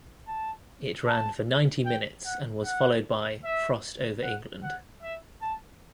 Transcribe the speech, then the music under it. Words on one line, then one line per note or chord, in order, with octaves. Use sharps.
It ran for ninety minutes and was followed by "Frost over England".
A5
A5
G5
F#5
F#5
E5
F#5
F#5
E5
A5